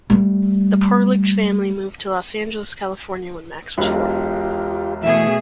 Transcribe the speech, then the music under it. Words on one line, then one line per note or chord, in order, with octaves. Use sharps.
The Perlich family moved to Los Angeles, California when Max was four.
G3 A3
E1 B1 F4 G4
B2 E3 A3 G#4 E5